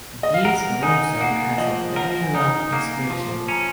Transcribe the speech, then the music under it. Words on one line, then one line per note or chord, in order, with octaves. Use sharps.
This runestone has a very long inscription.
D#5
F5
A#4 F#5
D#4 G#5
A#3 F#5
F3 D#5
A#4 F#5
G#5
D#4
A#5
A#3
F3
C#4 A#5